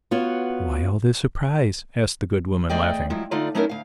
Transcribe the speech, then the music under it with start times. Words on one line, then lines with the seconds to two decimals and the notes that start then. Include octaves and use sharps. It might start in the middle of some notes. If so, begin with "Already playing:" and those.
"Why all this surprise?" asked the good woman, laughing.
0.11 B3 F4 F#4 C#5
2.69 E2 A3 G#4 D5 D#5 G5
3.10 F3 F#3 G#3 E4
3.31 D3 A3 D#4 F4 D5
3.55 F#3 A3 C#4 D#4 E4 A#4
3.69 D2 F5